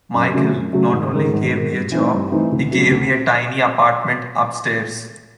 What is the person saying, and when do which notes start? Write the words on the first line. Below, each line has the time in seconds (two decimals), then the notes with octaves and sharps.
Michael not only gave me a job, he gave me a tiny apartment upstairs.
0.14 F#2
0.34 C#3 F#3 A3
0.54 F#2
0.73 C#3 F#3 A3
0.93 G#1
1.13 G#2 D#3
1.33 G#1
1.53 G#2 D#3
1.72 G2
1.92 E3 A3 C4 D#4
2.12 G2
2.32 E3 A3 C4 D#4
2.52 D2
2.71 C#3 F#3 A3
2.91 D2